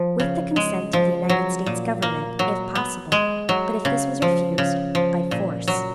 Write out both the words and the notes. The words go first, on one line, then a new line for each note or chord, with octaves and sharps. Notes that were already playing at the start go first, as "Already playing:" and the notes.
With the consent of the United States Government if possible, but, if this was refused, by force.
Already playing: F3
C#3
G#3
F3
F#3
A#2
A#3
F#3
B3
G#3
F#3
C#3
F3
C#3
F3
A#2
F#3